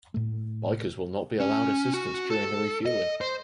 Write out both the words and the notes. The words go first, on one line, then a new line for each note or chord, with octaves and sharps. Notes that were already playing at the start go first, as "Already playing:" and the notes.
Bikers will not be allowed assistance during the refueling.
A2 A3
C#4
F#4
A4
D#5
C5